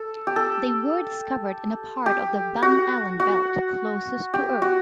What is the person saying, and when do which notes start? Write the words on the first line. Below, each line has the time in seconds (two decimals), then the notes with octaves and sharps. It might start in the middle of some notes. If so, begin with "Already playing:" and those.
They were discovered in a part of the Van Allen belt closest to Earth.
Already playing: A4
0.27 G4
0.36 A4
2.06 G4
2.62 F#4
3.20 F#4
4.34 G4
4.62 F#4